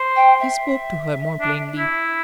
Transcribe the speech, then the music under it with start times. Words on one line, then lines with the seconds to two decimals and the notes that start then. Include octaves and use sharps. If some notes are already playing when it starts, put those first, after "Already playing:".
He spoke to her more plainly.
Already playing: C5
0.16 G5
0.40 E5
1.41 D4
1.79 E4